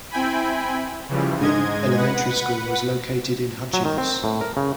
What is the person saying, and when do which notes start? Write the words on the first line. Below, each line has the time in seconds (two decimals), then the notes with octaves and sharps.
Winn Elementary School was located in Hutchins.
0.11 C4 E4 G5 G#5 B5
1.09 C#3 E3 F3 G3
1.39 G#2 G#3 D#5 G#6
1.97 B4 F#5
3.74 F#3
3.85 D#3
3.98 C4
4.24 A2
4.41 A#4
4.57 C#3